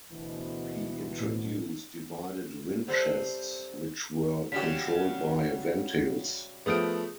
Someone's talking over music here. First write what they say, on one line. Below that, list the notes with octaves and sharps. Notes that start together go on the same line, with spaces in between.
He introduced divided windchests which were controlled by ventils.
D2 B2 E3
A2
C3 G3 C4 A4 C5
C#3 G3 F#4 B6
F3 A3 B3 G#4 D#6 D7